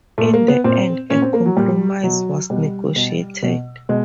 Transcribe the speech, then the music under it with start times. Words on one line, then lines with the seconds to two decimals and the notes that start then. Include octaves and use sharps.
In the end, a compromise was negotiated.
0.18 A#2 A3
0.34 A#3
0.48 B3
0.64 A#2 C4
1.10 A#2 C#4
1.22 C4
1.34 A#3
1.46 F#3
1.57 A#2 G3
2.03 B2 F#3
2.50 B2 G3
2.96 B2
3.43 B2
3.89 B2 G#3